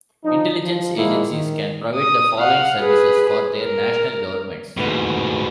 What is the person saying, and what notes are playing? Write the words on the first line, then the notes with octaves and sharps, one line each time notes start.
Intelligence agencies can provide the following services for their national governments.
F3 D4 D#4
F3
D#3 F3 G#3 A#3 E4
D#3
D#6
F5 F#5
G#4 B4
A#4
D#2 G#2 B2 A3 B4